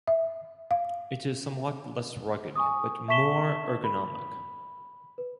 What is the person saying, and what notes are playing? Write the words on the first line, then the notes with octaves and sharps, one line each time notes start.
It is somewhat less rugged, but more ergonomic.
E5
F5
G#5 C#6 D#6
E5 A5 C#6 B6 E7 G7
B5
B4